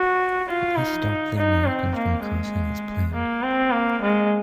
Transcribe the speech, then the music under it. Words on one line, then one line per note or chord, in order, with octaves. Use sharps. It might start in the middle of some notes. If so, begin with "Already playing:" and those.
This stopped the Americans from crossing as planned.
Already playing: F#4
F4
D#4
D#4
C4
A#3
G#3
A#3
C4
A#3
G#3